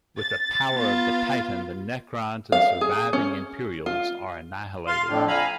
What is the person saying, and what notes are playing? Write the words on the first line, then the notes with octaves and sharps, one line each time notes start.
With the power of the Titan, the Necrons and surviving Imperials are annihilated.
A6
B3 F4
F5
G#4
C#4
F4
F4 F5 C6
F2 A2 D3
F5 G#5 A#5 B5